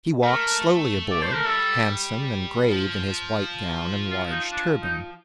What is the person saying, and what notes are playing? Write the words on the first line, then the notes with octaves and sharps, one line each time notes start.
He walked slowly aboard, handsome and grave in his white gown and large turban.
A3 A#4
D5
C5
A#4
G3 A4
F3
F4
D#4
D4
D#4